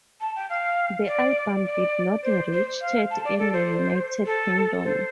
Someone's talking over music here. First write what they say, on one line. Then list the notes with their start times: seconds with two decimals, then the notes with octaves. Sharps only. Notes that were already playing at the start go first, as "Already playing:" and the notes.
The album did not reach chart in the United Kingdom.
0.21 A5
0.36 G5
0.50 F5
1.07 D5
1.66 D5
2.23 C5
2.52 C5
2.81 F5
3.10 A5
3.25 D5
3.39 A4
3.53 C5
4.26 A4
4.83 C5